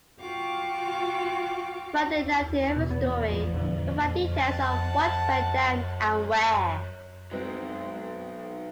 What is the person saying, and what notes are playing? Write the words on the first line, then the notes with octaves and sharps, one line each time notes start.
Friday narrated every story, providing details of what went down and where.
F4 F#4 F5 G5 C#6 D6
B2
B3
A1 F3
E2 A#2 D3
F#5 A5
B2 F#3 G#3 C4